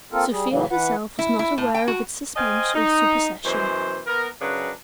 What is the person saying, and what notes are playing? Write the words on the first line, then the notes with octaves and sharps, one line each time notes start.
Sofia herself was not aware of its suspense or supersession.
A#3 C4 F4 A4 A#4
G3 G#4
A2 C#3 E3 F#3 A#3
E3 B4 F#5
E4
E4
A2
G5
F#4
C5 D#5 F5 G5 G#5
D#4
F#2 B2 E3 C5
B3 A#4
F#2 C#3 D4 B4 F#5 A#5